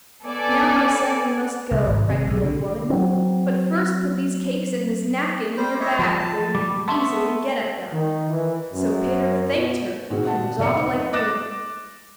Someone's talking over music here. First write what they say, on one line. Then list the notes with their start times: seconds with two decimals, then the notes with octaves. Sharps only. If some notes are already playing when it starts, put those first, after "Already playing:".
'Now, my son, you must go,' cried the old woman 'but first put these cakes and this napkin in your bag, where you can easily get at them.' So Peter thanked her and was off like the wind.
0.23 B3 A4 D5 G#5
1.72 C2
1.87 G#1
2.10 C3
2.27 B1
2.44 D3
2.90 F#3 C4
5.57 G3 C5
5.80 C#5 D#5 E5
5.99 F3 A5
6.55 G3 D6
6.88 B3 E5 A5 C6 C#6
7.93 D#3
8.29 E3
8.73 F#2
9.52 B2
10.10 A#2 D#3 C4 F#4 G#4
10.25 F#5 A5
10.58 E1 F3 D5 E5 C#7
10.76 C4 D#4 D#5 C#7
11.13 D6 F#6 A6 A#6 E7